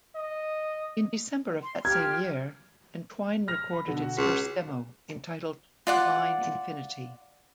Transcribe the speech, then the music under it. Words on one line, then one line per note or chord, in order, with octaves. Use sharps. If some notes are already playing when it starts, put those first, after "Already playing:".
In December of that same year, Entwine recorded its first demo entitled "Divine Infinity".
D#5
C6
F4 G4 F6 G#6
F6 A#6 F7
B5
B2 D3
F#4
C#2
F4 D5 F#5